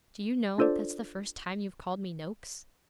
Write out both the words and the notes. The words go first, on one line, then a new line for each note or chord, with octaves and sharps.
'Do you know, that's the first time you've called me "Noakes"?'
D4 F4 A4 C5 D5